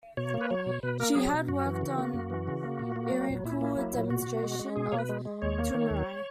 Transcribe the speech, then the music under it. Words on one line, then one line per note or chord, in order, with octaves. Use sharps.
She has worked on lyrical demonstration of Thumri.
B2 C#5
A#3
B4
F#3 C#5
B2
B2 B4
A#3 A#4
F#3 G#4
B2
F#2 F#4
E3
C#3
A#3
F#2
E3
C#3
A#3
A#2
A#3
F#3
A#2
A#2 E4
A#3
F#3
A#2
B2 F#4
B2
G#3
G#3
B2 G#4
B2 C#5
B4
G#3
G#3
D#2 C#5
A#3
D#3
D#2